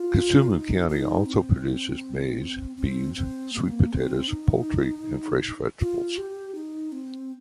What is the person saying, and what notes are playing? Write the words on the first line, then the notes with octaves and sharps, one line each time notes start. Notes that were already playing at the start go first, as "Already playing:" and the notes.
Kisumu County also produces maize, beans, sweet potatoes, poultry and fresh vegetables.
Already playing: F4
D#4
D#4
C4
C4
C4
A#3
C4
A#3
C4
D#4
F4
G4
D#4
C4